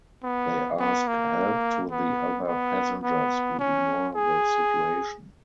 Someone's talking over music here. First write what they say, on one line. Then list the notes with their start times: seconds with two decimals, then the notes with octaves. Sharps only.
They ask help to the other passengers who ignore the situation.
0.23 B3
0.79 B3
1.07 A#3
1.91 B3
2.47 B3
3.03 B3
3.59 C#4
4.15 G#4